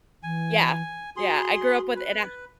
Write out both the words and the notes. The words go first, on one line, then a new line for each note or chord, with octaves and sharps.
yeah, yeah, I grew up with and I
E3 G#5
F#4 G#4 C6
B4